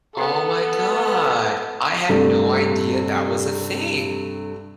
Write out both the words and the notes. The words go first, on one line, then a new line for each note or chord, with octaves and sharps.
Oh my god. I had no idea that was a thing!
B3 A4
G2 C3 A3